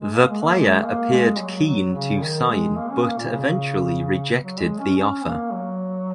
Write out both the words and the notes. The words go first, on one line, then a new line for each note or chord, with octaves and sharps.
The player appeared keen to sign but eventually rejected the offer.
G#3
A#3
G#3
A#3
G#3
A#3
G#3
F#3
F#3
C#3
D#3
G#3
A#3
C#4
A#3
A#2
C#3
F#3
G#3
C#4
C#4
A#3
F#3